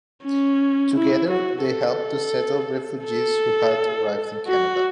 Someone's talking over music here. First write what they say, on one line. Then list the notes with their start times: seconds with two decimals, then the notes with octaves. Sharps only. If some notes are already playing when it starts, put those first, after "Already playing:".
Together they helped to settle refugees who had arrived in Canada.
0.25 C#4
0.95 E4
1.31 F#4
1.66 A4
3.07 A4
4.48 F#4